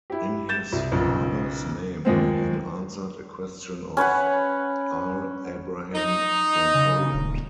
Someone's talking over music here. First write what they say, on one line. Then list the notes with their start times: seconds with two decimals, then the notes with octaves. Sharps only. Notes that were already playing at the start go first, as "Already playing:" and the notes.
In his father's name he even answered a question of R. Abraham from Poland.
0.10 E4 G4
0.49 G6 A6 E7
0.72 C2
0.92 B1 A#2 C#3
2.05 D#2 F3 G#3 C4
3.97 C#4 B4 C#5 F#5
5.94 D#4
6.75 C#3
7.14 D#1